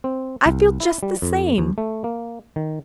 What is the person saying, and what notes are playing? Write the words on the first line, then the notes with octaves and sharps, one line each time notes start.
I feel just the same.
C4
C2
E4
G3
F2
D#2
A3
A#3
D#3